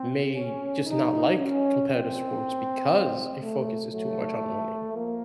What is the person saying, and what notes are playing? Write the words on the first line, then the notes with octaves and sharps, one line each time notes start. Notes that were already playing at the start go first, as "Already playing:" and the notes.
may just not like competitive sports because it focuses too much on winning,
Already playing: C4
C#4
C3 F3 D#4
C#4
C3 F3 C4
A2 F3
A3
A2 F#3 A3
F3 A#3